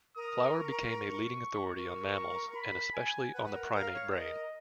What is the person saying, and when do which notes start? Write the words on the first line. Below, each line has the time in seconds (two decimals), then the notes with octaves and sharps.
Flower became a leading authority on mammals, and especially on the primate brain.
0.15 A#4 D#6
0.56 C#6
0.96 C#6
1.75 A#4 C#6
2.55 B5
2.94 G#5
3.34 B4 F#5
3.44 B4
3.54 A#4
3.74 A#4 F5
3.94 C#5
4.14 A#4 D#5